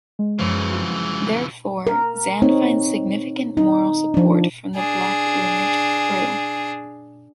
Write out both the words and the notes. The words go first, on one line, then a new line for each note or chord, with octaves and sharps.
Therefore, Zan finds significant moral support from the black roommate Prue.
G#3
F#2 C#3 E3 F3
C4 F4 F#4
A#4
C4 D#4 C#5
D#4
F3 D4
D4 G#4